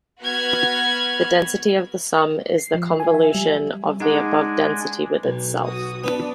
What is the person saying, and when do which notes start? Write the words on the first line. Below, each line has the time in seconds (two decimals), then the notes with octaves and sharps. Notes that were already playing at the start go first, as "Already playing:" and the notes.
The density of the sum is the convolution of the above density with itself.
0.21 B3 F#4 B5 F6 G#6
2.58 C7
2.74 F3
3.00 G#5
3.14 E5
3.35 G3
4.00 G#3 D4 D#4 G#4 F#5 G#5
5.23 B1
5.65 F#4 D#6
6.04 B3 D4 B4